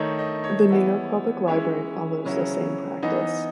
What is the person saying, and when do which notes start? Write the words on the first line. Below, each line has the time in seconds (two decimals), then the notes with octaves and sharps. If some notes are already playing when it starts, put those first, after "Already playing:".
The New York Public Library follows the same practice.
Already playing: D#3 A3 D#4 C#5
0.19 D#5
0.44 C#5
0.70 E3 B3 E4
1.47 E3 G#3 C#4 E4 C#5
2.25 C#3 F#3 C#4 E4
3.03 E3 B3 D#4 D#5